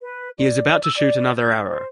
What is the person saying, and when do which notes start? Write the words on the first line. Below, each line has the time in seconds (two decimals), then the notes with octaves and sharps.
He is about to shoot another arrow.
0.02 B4
0.38 D5
0.82 E6
0.97 D5
1.37 G6
1.68 C5